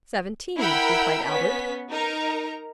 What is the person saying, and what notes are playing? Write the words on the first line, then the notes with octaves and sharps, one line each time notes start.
"Seventeen!" replied Albert.
E4 A#4 F#5 G5 B5 E6
B3 C#4 B6
D#4 A#4 A#5